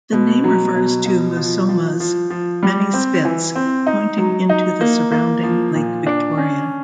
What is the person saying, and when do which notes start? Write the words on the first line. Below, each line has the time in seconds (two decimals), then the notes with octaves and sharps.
The name refers to Musoma's many spits pointing into the surrounding Lake Victoria.
0.12 B2
0.44 F#3
0.75 B2
1.06 B2
1.37 F3
1.69 F3
2.00 F3
2.30 F3
2.63 G3
2.93 C4
3.25 E3
3.55 C4
3.87 D#4
4.18 F#3
4.49 D#4
4.81 A#3
5.12 A#3
5.43 F3
5.75 A#2
6.06 D4
6.38 C#4